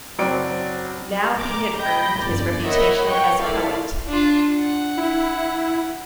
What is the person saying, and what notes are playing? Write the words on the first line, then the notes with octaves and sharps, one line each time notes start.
Now he had earned his reputation as a poet.
F#1 F#3 C4 D5 G5 D7
A#5 D6
D#5 G5 B5 G6 A#6
G1 F2 D5
A#4 C#5 D#5 E5 F#5 B5
B4 C#5 F#5 G5 C#6
E4 F4 A4 A#4 D5 F5
D4 F4
F#5
E4